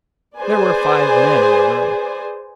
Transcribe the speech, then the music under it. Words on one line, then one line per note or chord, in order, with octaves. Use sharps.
There were five men in the room.
G#4 B4 C5 D5 G#5